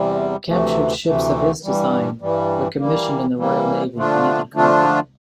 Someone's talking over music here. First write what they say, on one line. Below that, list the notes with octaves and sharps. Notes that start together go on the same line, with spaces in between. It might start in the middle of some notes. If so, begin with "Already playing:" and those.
Captured ships of his design were commissioned in the Royal Navy and even copied.
Already playing: E2 C3 G3
D2 C3 E3 A3
D2 C3 E3 A3
G2 E3 G3
G2 E3 G3
E3 G3 A#3
E3 G3 A#3
D3 F3 A3 D4 F4
D3 F3 A3 D4 F4